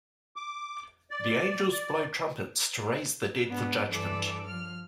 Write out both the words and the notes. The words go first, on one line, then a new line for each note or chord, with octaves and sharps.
The angels blow trumpets to raise the dead for judgment.
D6
D5
D5
G#2 B3 D4
G2 E3 A4 D5 D6 E6
F3 F6